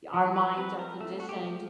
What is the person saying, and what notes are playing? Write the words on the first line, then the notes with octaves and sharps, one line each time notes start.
Our minds are conditioned
F3
B4
C4 B4
A#4
A3 A4
F#4
G4
F3